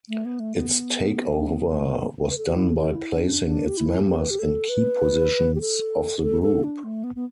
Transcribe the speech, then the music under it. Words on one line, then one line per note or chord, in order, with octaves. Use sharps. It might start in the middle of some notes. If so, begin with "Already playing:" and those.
Its takeover was done by placing its members in key positions of the group.
A3
B3
A3
B3
D4
B3
A3
B4
A4
G4
E4
A4
G4
E4
D4
D4
G4
E4
G4
B4
G4
A4
B4
G4
A4
A4
A4
D4
A3
B3
B3